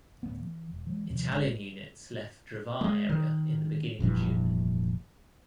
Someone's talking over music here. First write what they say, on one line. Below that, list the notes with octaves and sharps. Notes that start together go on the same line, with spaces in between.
Italian units left Drvar area in the beginning of June.
D1 G#2 A3 B3
E3
E1
E3 G#3
D#2 C3 F3
G#1 G#3
G#3 A3
D#3
F1 A#1 G2 E3